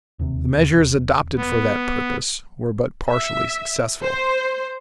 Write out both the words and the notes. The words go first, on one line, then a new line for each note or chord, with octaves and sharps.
The measures adopted for that purpose were but partially successful.
E1 D#2 C3
B3
E5
C5